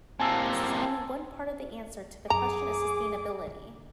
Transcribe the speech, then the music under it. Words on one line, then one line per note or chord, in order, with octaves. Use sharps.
This is only one part of the answer to the question of sustainability.
C3 A#3 G#5 A5 E6
F#2 G#4 A#5 D6
D3